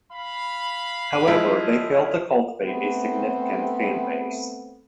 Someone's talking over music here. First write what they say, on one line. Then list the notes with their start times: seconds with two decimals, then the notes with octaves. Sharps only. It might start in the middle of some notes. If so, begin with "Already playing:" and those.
However they failed to cultivate a significant fan-base.
0.12 F5 B5
1.28 F3 G#3 E4
2.66 A3 B3 C4